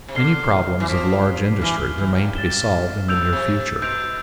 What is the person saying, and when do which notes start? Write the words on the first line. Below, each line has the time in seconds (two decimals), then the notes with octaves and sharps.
Many problems of large industry remain to be solved in the near future.
0.08 C3
0.15 D3 D6 F6 C7 G7
0.80 E3
0.88 F3 D6 F6 B6 D7
1.61 E3 F6 C7 G7
1.98 E3
2.17 G2
2.35 G2 A6 E7 G7
3.08 D3 E6 G6 D7 F7
3.16 C3
3.25 B2
3.32 C3
3.82 B2 G6 D7 F7